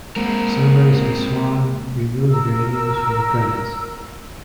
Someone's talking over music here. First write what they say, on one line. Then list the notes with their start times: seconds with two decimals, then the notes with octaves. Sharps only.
Summers and Swan removed their names from the credits.
0.16 G#3 A#3 C4 A#4
2.29 A#4 E6